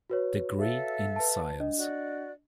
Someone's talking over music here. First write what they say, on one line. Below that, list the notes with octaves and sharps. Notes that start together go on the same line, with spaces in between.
Degree in Science.
F#4 B4 C#5
A4 E5 F5
B4 A5
D4 D#5
F#4 D5